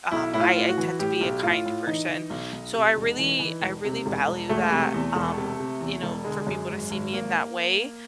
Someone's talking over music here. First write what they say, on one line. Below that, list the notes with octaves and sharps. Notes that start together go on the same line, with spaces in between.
um, I I tend to be a kind person. So I really I really value that, um, you know, for people to see me in that way.
B1 E4
A2 E4
F4
A2
F#4
E3
A2 G4
B1
A2 F4
A2
E3 D#4
E3
B1
B1
C3
E1
E3
E3
E1
C3
E1
E1
E1 A3
C3
E2
E1
C3
C3
E2
E1
D3 G#3
F#2
G#1
G#1
G#1 A#3